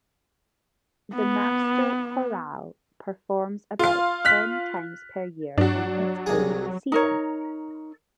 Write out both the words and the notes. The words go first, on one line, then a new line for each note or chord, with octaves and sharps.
The Master Chorale performs about ten times per year in its own season.
B3
F4 F5
F6 F#6 B6
G2 F#3 D4 F#4
C2 G#4
D#4 A#4 C#5